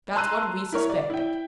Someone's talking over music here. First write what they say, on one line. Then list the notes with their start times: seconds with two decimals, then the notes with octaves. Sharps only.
That's what we suspected.
0.15 A5 A#5 C6 E6 F#6 D#7
0.72 E4 A#4 C#5
0.90 D5
1.10 E4 G5